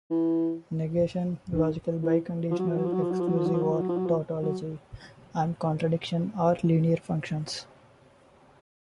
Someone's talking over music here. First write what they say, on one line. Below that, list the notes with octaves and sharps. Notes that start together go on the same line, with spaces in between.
Negation, Logical biconditional, exclusive or, tautology, and contradiction are linear functions.
E3
D#3
E3
F3
F#3
F3
F#3
F3
F#3
F3
F#3
F3
F#3
F3
F#3
F3
F#3
F3
F#3
F3
F#3
F3
F#3